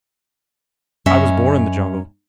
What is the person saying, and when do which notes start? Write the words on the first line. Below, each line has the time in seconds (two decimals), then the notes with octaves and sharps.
I was born in the jungle.
1.06 F#2 C#4 D#5 E5